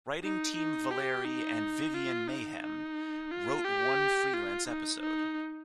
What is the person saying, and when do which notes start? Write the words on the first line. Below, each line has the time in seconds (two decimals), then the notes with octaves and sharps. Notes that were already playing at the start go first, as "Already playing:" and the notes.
Writing team Valerie and Vivian Mayhew wrote one freelance episode.
0.23 D#4
0.56 D#4
0.91 G4
1.25 D#4
1.94 F4
2.28 D#4
2.63 D#4
3.31 F4
3.64 G4
4.34 F4
4.68 D#4
5.01 D#4